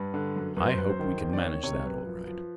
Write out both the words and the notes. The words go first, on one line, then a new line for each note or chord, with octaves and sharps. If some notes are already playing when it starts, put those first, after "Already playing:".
"I hope we can manage that all right."
Already playing: G2 B4
D3
F#2
F#2 B4
C5
F#2 B4
C5
D#3
E2
D5
D#3 C#5
C3 C#5
F#2 B4
F3
F3